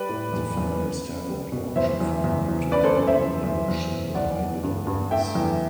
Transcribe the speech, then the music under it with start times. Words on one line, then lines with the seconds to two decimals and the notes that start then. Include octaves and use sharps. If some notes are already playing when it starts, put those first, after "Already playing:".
Define a standard auction format to be one in which the high bidder wins.
Already playing: G3 B4 D5
0.09 A2
0.33 E2
0.57 E2
0.81 F#2
1.05 F#2
1.29 G3
1.52 B2
1.76 E2 C5 E5
2.00 E2
2.24 E2
2.48 E2
2.72 F#2 B4 D5
2.84 A4 C5
2.96 F#2
3.07 C5 E5
3.19 E2
3.44 E2
3.68 E2
3.92 E2
4.15 E2 D5 F#5
4.40 E2
4.63 G2
4.87 G2
5.11 A3 E5 G5
5.35 E2